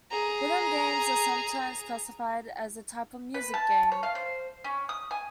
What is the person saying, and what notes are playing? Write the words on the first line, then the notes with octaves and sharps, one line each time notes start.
Rhythm games are sometimes classified as a type of music game.
G#4 A#5
B4
A5
C#5
F5
C5
C#4
D#6
G#5